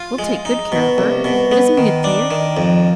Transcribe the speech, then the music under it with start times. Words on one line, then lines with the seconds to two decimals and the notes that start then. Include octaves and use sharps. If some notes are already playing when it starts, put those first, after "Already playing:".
We'll take good care of her. But isn't he a dear?
Already playing: F4
0.19 G#3
0.45 D#4
0.72 B2
0.98 C2
1.24 B2
1.51 B3
1.78 D#3
2.04 D4
2.31 D#3
2.57 F2